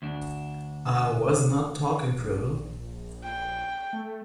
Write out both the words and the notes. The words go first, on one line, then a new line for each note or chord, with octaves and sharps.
I was not talking drivel.
D2 D4
A#1
G5
A3